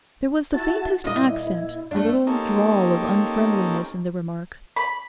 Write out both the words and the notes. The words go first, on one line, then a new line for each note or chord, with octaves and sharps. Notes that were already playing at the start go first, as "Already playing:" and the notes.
There was the faintest accent, a little drawl of unfriendliness in the remark.
E4 F#4 A5
A#2 E4 D#5
A3 D4
A#3 C4 C#4 D#4 G4 A4
B5